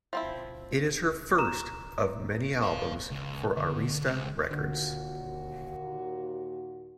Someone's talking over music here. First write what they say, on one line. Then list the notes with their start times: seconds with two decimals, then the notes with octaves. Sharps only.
It is her first of many albums for Arista Records.
0.13 F3 C4 E4
1.38 A#5 E7
2.62 C5 F5
3.11 C#2
3.57 D3
4.06 C#2
4.51 D#2 A#2 D3 F#4